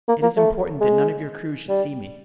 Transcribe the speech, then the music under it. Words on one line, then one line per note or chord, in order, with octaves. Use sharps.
"It is important that none of your crew should see me."
A#3
A#3
A3
G#3
G3